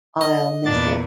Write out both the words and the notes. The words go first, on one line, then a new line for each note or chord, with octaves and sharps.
I’ll miss it.
D#5
E2 A#2 D4 A6